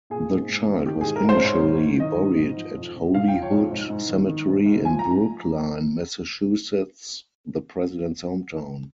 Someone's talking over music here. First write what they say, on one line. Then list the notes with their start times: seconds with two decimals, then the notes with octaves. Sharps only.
The child was initially buried at Holyhood Cemetery in Brookline, Massachusetts, the president's hometown.
0.10 A#2 G#4
0.30 G#2
0.49 G#2
0.68 D#3
0.86 D#3 G4
1.01 G#2 G#4
1.16 A#4
1.24 G#2 C5
1.44 G#2 C#5
1.62 G#2
1.81 D#3
2.00 D#3 D#5
2.20 G#2
2.38 G#2
2.57 F3
2.77 F2
2.96 F2
3.14 C#3 F5
3.28 G5
3.33 F3
3.43 C#5
3.52 F2
3.71 G#2
3.90 G#2
4.09 D#3
4.28 D#3
4.48 G#2
4.66 G#2
4.85 F3 G#5
4.99 A#5